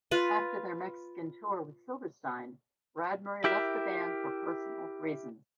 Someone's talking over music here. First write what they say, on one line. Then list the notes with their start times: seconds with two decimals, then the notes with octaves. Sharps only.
After their Mexican tour with Silverstein, Brad Murray left the band for personal reasons.
0.11 F4 B4
3.44 E4 G4 A#4 E5